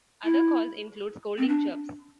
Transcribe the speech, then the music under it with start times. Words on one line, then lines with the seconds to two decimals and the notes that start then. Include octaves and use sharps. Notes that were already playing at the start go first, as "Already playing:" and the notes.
Other calls include scolding chirps.
0.24 E4
1.38 C4
1.48 D4